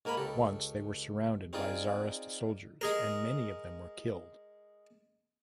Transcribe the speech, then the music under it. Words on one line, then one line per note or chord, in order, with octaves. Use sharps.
Once they there surrounded by Tsarist soldiers and many of them were killed.
G#2 A#3 A#4 G#5 B5
C#2 G4 A4
C4 D#4 F4 G#4 D5
G#3 G#4 A#4